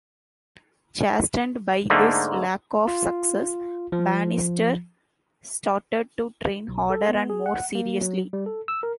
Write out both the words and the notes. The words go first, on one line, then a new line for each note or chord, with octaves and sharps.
Chastened by this lack of success, Bannister started to train harder and more seriously.
G#2 D3 A3 A#3
F4
F3
B1
A4
B3
G#4
F#5
A#3
F#3
G3
A4
E6
A#4